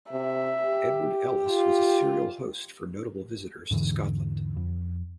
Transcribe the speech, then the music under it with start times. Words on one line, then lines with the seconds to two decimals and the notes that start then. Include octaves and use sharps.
Edward Ellice was a serial host for notable visitors to Scotland.
0.11 C3 E5
0.65 G4
1.49 F4
3.70 E2 G#2 D3 E3
4.57 F2